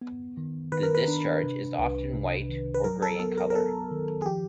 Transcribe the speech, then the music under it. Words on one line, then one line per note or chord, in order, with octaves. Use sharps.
The discharge is often white or gray in color.
B3
D#3
D#3 B4
A#4
B4
D4
C3
C2
C3
D#3
B4
F#3 A#4
A4
B3 A4
A#4
A#4
B3 A4
D#3
G#4
F3 G4